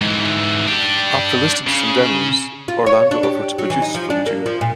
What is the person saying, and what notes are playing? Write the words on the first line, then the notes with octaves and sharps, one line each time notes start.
After listening to some demos, Orlando offered to produce for the duo.
G#2 E3
D4 G4
C#3
F4
C#5
D4
G4
F#3
E3
D#4
F3
D4
A#3
F3
A#2